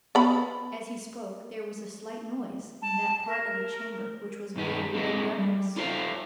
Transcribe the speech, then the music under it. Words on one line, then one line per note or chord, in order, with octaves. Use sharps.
As he spoke, there was a slight noise in that part of the chamber which was buried in darkness.
B3 B5
A5
A#4
G2 D#3 D#4 B4
A3 A#3 C4 D4 G#4 D#5
G3
D#4 F4 A4 C5 E5 F5